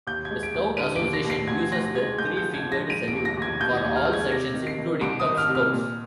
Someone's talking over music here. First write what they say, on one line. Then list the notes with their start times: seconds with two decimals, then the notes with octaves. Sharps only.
The Scout Association uses the three-fingered salute for all sections, including Cub Scouts.
0.07 D#2 G6
0.25 G#6
0.31 G#3
0.43 D7
0.54 D#2
0.77 D3 D#7
0.96 D#2 D7
1.13 A#6
1.25 D#2
1.30 C7
1.48 D2 G#6
1.71 D2 A#6
1.95 G#3 G#6
2.18 G#3 G6
2.37 F3 G6
2.54 G#6
2.65 F3
2.72 A#6
2.89 G#3 D#7
3.08 D7
3.13 D#2
3.25 A#6
3.37 D#2 G#6
3.60 D#2 G6
3.77 G#6
3.84 D#2
3.96 F6
4.08 G#3
4.13 G#6
4.31 C3 A#6
4.54 D#3
4.67 C7
4.78 D#3
5.01 C2 D7
5.20 D#3 D#6
5.37 F6
5.48 C3
5.55 F6
5.73 A#2